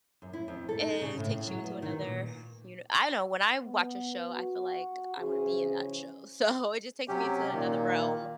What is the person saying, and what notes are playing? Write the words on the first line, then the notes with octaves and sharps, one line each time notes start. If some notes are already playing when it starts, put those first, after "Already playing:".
it takes you into another, you kn I don't know, when I watch a show, I feel like I wanna be in that show. So, it just takes me into another realm.
F#2
E4
F2
A4
D#4
C#3
A2
A2
F#3
B3
D#3
A#2
B3
F#4
C#3 E3 F3 C#4 G#4 C5
C3 F#3 C#4 G4
A#2 D#3 A#3